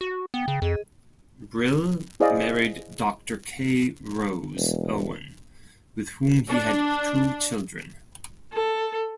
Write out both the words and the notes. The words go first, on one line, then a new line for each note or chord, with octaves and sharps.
Brill married Doctor K. Rose Owen, with whom he had two children.
F#4
B3 G5
C#3
F2 G#4 D#5
E4 G#4 C5 D5 D#5 F5
E1
D4
A4